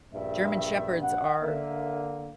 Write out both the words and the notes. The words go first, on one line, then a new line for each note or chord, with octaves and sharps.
German Shepherds are,
A#1 G2 E5
F#5
D3 A#3 E5